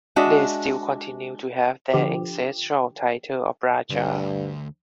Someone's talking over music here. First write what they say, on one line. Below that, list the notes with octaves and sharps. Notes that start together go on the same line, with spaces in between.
They still continued to have their ancestral title of Raja.
G#3 D4 F#4 D#5 E5
D3 F3 G4
D2 G2